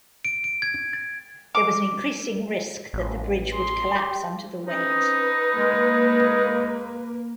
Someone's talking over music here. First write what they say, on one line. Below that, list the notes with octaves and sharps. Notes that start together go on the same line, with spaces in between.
There was an increasing risk that the bridge would collapse under the weight.
D7
D7
G#6
A6
D6
A1
G#4 C6
G4
C4 C#4 D#4 B4 D#6
G#3 A#3